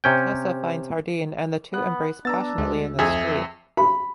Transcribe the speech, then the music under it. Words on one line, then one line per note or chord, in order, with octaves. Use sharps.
Tessa finds Hardin and the two embrace passionately in the street.
C3 C#4 G5
B3 F#6
B3 D4 A#5 E6 A6
D2 G#3
F2 G#4 E5
B5